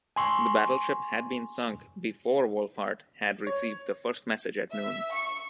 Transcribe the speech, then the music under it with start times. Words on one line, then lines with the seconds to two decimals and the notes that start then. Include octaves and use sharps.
The battleship had been sunk before Wohlfahrt had received the first message at noon.
0.16 G#5 C6 C#6
3.47 C#5
4.73 E5
5.13 C#6